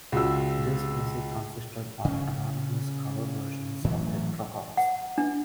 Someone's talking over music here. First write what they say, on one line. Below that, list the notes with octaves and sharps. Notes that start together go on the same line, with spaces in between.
The music consisted of anonymous cover versions of hit records.
C#2 F#4 E6
C#3 C#4
A2 E3 F#3
F#5
D4